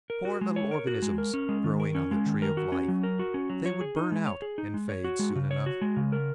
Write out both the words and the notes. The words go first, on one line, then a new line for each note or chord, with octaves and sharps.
Poor little organisms growing on the tree of life--they would burn out and fade soon enough.
A#4
F#4
G#3
C#5
A#4
F#4
G#3
A#4
C#4
G#3
D#3
A#4
C#4
G#3
D#3
A#4
F#4
C#4
F#3
A#4
F#4
C#4
F#3
C#5
G#4
D#4
G#3
C#5
G#4
D#4
G#3
C#5
F#4
G#3
C#3
C#5
F#4
G#3
C#3
A#4